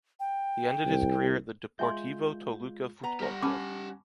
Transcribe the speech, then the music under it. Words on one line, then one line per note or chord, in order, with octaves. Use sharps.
He ended his career at the Deportivo Toluca Fútbol Club.
G5
C2
G#3 F4 E5 G#5 C6 G6
B3 A#5
G3 G4 F#5 F6 A#6
C#4 A5 B5 D6